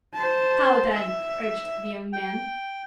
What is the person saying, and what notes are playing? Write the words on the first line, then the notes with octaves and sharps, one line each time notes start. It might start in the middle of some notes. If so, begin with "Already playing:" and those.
'How then?' urged the young man.
C5 A5
E5
G5